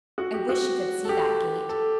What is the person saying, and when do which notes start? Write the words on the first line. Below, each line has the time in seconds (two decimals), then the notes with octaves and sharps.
I wish you could see that gate.
0.18 F#4
0.34 G4
0.49 F#4
1.05 A4
1.09 G4
1.69 A4